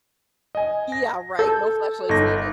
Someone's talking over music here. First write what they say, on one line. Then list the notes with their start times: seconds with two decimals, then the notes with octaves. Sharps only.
Yeah, right. No flashlights needed.
0.55 D#5 G#5
0.92 A#6
1.39 A4 G6
2.09 G1 D#4 A#6